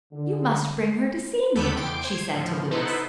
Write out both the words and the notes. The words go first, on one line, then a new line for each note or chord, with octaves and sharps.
"You must bring her to see me," she said to Louis.
D3
D#2 B3 A4 B5 D6 G6
E2 G5 C6 D6 D7
C5 G#6
A2 F3
B3 D#4 E4 A4 B4 C5